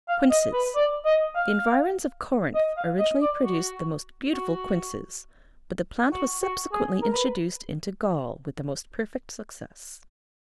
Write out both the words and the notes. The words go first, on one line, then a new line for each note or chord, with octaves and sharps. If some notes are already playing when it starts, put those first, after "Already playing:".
QUINCES.--The environs of Corinth originally produced the most beautiful quinces, but the plant was subsequently introduced into Gaul with the most perfect success.
F5
D#5
B4
D5
D#5
F5
D#5
F5
D#5
D5
F#4
F#4
F#4
F#4
G#4
A#4
B4